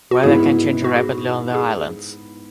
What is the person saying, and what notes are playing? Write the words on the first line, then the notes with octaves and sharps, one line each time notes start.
Weather can change rapidly on the islands.
F#4
G#2 E3 B3 E4 G#4
F#4
G#4
G#4